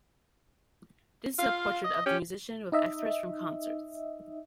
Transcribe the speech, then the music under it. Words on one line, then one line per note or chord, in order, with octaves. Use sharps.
This is a portrait of the musician with excerpts from concerts.
F4 F5
D#5
C#4 G4
D#4 D#5 E5